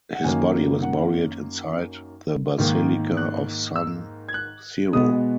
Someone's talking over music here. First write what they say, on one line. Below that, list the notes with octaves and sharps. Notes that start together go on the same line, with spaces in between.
His body was buried inside the Basilica of San Siro.
F#5
F#2 D#3 F#3 A#3 G#5
F#5
G#2 D#3 A#3
F#6
E6
G#6
F#6
B2 G#3 B3 D#6